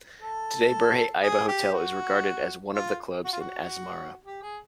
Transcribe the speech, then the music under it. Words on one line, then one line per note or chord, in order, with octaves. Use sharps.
Today Berhe Aiba hotel is regarded as one of the clubs in Asmara.
A4
G#4
G4
F#4
F4
F#4
F4
F#4
G4
G#4